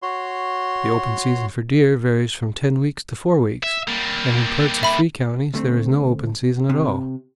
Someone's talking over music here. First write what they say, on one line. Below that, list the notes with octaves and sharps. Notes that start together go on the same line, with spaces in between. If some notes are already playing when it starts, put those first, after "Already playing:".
The open season for deer varies from ten weeks to four weeks, and in parts of three counties there is no open season at all.
F#4 C#5 C6
E5
G3 A#3
E5 B5
D2 A3 C4
C3